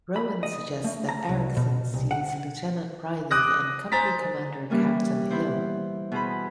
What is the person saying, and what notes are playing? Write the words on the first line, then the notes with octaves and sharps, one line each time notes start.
Rowan suggests that Eriksson sees Lieutenant Reilly and Company commander Captain Hill.
B5
D#5
A3
A#5
C2
B2
C2
F#5
D6 D#6 F#6 A#6
C5 G#5 A#5 A6 B6
E3 G3 A#3 C#4
B3 E4 C5
B2 G#4 C5 B5